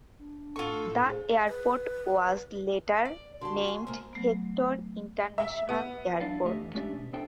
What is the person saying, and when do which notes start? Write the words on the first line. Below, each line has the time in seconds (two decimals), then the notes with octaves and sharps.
The airport was later named Hector International Airport.
0.19 D4
0.56 A2 F4 A4 C#6
1.10 G#4 C5
1.48 B4
3.05 D5
3.41 D3 F#4 A5 C6
3.68 G#5
3.87 C3 G#3 A#3
4.13 F#3 A3 B3
5.38 E5
5.69 B3
6.20 E2 F#3 D4 E4 D5 F5
6.44 F2 D3 A3 G4 D#5 E5
6.61 E2
6.75 G#3 C#4 D4 G4 D5 E5
6.93 B2
7.13 B3 D4 A4 C5 E5 G5